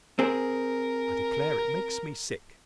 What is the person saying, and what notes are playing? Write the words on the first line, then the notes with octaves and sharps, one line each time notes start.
I declare it makes me sick.
C4 G#4 A#4